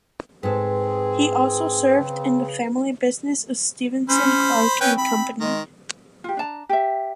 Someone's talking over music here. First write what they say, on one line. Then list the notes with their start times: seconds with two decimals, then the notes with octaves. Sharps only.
He also served in the family business of Stephenson Clarke and Company.
0.43 G#2 C4 G#4 A4 B4
1.98 C#3
4.09 C#4 C5 B5
4.81 C4 C#4 B4 G5
4.98 B5
5.40 D#3 G#3
6.24 F4 G4
6.37 D4 A5 A#5
6.69 G4 E5